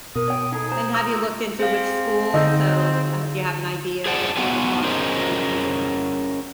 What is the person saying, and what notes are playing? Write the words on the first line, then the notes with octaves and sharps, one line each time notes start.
And have you looked into which schools? So, s uh, do you have an idea of th what the cost is going to be?
B2 A#4 D#6
C#5 G5
D#4 G#4 A4
C5 A#5
A#3 D#4 F4 E6
C4 G#4 F5
D3 D#4 E6 G6
G#4 C5 D5 F#5 A5
B3 D#4 F4 F#4 G#4 G#5
C#4 G#4 A#4 C5 D#5